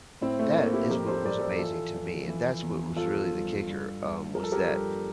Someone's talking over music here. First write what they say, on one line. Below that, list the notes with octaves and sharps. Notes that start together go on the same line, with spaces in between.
that is what was amazing to me, and that's what was really the kicker, um, was that
A2 C4 E4
A3
A2 A#3
E4 G4
F2 G4 A#4
A4 C5
F2 A#4 D5
A4 C5
E3 F4 A4
F2
E3
E2
F3 F4 A4
G2
G2
G2
F3 A#4
A4
G4 A#4
G2